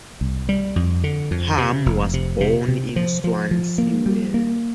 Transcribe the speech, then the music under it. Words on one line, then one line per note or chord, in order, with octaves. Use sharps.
Ham was born in Swansea, Wales.
C2
G3
F2
D3
F2
C3
F1
C3
C3
C3
F3
F3
F3
A#3
G3
A#3